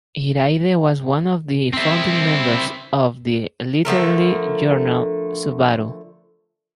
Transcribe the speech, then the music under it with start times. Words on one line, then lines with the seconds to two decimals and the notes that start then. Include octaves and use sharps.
Hiraide was one of the founding members of the literary journal "Subaru".
1.73 C4 E4
3.85 D3 F3 A3 A#4